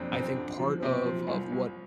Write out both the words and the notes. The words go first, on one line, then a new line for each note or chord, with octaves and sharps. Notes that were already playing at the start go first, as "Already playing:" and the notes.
I think part of of what
Already playing: F2 F3 C4 D4
F2 C4
D3
F3
C3 C4
F3
C2
C2